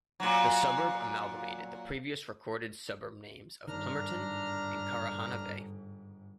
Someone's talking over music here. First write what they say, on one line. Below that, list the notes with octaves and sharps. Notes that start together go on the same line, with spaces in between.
The suburb amalgamated the previous recorded suburb names of Plimmerton and Karehana Bay.
A#2 F#3
G1 G#2 D#3 D4 A#5 F6